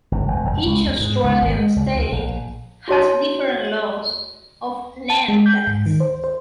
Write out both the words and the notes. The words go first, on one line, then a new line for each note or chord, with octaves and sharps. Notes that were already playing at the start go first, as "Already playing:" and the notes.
Each Australian state has different laws of land tax.
G1
E1
E1
C#2
E2
G#2
C#2
G#1
G#3
C#2
D2
A#1
E4 F#4 C#5 A5
A5
G#3
G6
G#2
D#3
C5
C5